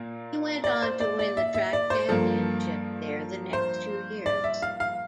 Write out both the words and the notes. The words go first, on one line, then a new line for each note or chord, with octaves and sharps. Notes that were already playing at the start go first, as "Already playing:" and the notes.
He went on to win the track championship there the next two years.
Already playing: A#2 A#3
D5
C5
D5
D5
E5
E5
D5
C5
G2 F3 A#3 A4
C5
D5
E5
F5
F5